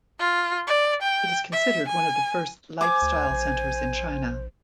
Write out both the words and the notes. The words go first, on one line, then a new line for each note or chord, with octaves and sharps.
It is considered one of the first lifestyle centers in China.
F4
D5
G5
E5
G#5
C5 G#5 D6
D2
A#1